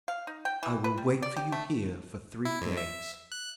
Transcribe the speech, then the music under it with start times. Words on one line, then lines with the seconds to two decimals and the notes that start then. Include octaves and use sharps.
I will wait for you here for three days.'
0.08 F5
0.27 D#4
0.45 G5
0.63 E3
0.84 B4
0.98 G3
1.22 D5
1.37 G4
1.52 A3
2.45 E4
2.61 F2
2.77 E5
3.32 F#6